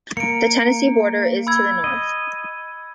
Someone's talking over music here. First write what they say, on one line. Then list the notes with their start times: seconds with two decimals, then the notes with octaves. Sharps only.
The Tennessee border is to the north.
0.17 A#3 C#7 D7
1.47 B5 E6 G#6
1.84 D#5